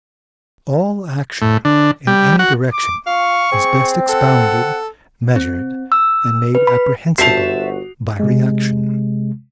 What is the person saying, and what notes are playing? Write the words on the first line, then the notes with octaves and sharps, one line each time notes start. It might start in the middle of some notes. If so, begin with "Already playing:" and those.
All action in any direction is best expounded, measured, and made apprehensible, by reaction.
A2
D3
G3
F#4
D6
F4 F5 C#6
C4 G#4
A4 F#5
C4
E6
B4
B5
G1 F#4 C5 E5 A5 C7 F7
C3 G#3